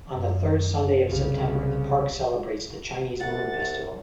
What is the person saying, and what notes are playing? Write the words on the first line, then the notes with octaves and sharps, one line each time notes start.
On the third Sunday of September, the park celebrates the Chinese Moon Festival.
F#2
C2 C#3
C2 F#5 A6